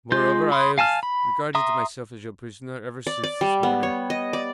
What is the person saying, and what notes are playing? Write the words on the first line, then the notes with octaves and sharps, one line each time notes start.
Moreover, I have regarded myself as your prisoner ever since this morning.
G#3 F4 C6 G6
B5 C6 D#6
F5 G#5 A5 F6
B5
E5 A#5 C6 D#6
D5
D5
G3
B3
C#5
D#5
D5